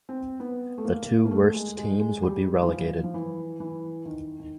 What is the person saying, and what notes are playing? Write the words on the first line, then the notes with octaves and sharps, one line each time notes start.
The two worst teams would be relegated.
C4
B3
A3
A#3
A#3
A3
G#3
G#3
G#3
G3
E3
F3
F3
E3
E3
D#3
D#3